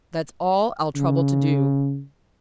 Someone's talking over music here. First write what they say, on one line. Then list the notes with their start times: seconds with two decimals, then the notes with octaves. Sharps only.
That's all I'll trouble to do.
0.96 C#3